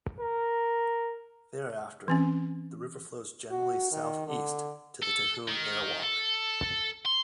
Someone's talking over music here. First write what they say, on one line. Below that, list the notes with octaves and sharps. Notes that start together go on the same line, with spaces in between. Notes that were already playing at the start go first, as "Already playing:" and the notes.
Thereafter, the river flows generally south-east to the Tahune Airwalk.
A#4
E3 C4 C#4
F#4
D#3
D3
A4
D#3
A4
C6